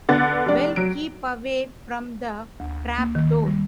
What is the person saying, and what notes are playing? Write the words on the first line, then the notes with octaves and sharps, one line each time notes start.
Well keep away from the trapdoor!
D3 B3 F#5 A6
F1 D4
F#3 D7
D2
A#3
D#3
G3